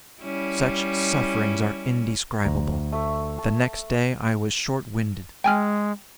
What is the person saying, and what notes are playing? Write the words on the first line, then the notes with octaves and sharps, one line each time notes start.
Such sufferings are indescribable. The next day I was short-winded.
G3 C#4 E4
D2 A#5
A3 E5
A5
G#3 G5 G#5 F6